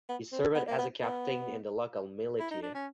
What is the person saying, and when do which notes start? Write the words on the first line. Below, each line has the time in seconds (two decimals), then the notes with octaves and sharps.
He served as a captain in the local militia.
0.09 B3
0.32 C4
0.55 B3
0.68 A#3
0.78 B3
1.01 B3
2.39 E4
2.51 D#4
2.62 D4
2.75 C#4